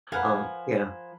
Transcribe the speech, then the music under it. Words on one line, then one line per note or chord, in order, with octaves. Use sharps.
Uh, yeah.
F3 A#4 B4 F5 F#5 G#5